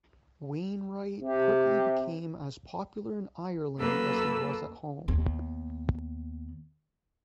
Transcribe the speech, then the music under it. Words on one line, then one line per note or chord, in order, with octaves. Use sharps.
Wainwright quickly became as popular in Ireland as he was at home.
C3 G4
F#2 A#3 A4 B4 E6
D#2 B3